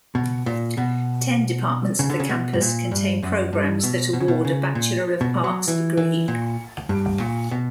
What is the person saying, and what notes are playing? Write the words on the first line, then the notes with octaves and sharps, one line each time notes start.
Ten departments of the campus contain programs that award a Bachelor of Arts degree.
B2
A#2
B2
C#3
D3
C#3
B2
G2
A#2
G2
F#2
G2
B2
B2
C#3
B2
C#3
A#2
B2
F#3
E3
E3
A#2
G2
A#2
B2